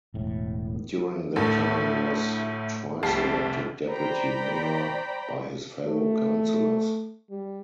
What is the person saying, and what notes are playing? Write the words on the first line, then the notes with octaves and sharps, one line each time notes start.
During that time he was twice elected Deputy Mayor by his fellow Councillors.
E1 A2
D2 A2 A4
F1 C2 F2 A5 C7
C5 D5 G5 A#5 B5
A3
G3